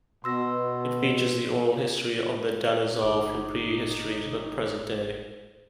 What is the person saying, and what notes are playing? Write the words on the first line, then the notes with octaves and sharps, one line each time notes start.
It features the oral history of the Dane-zaa from pre-history to the present day.
B2 C6 E6 A#6
G1 D#4 G#4 D6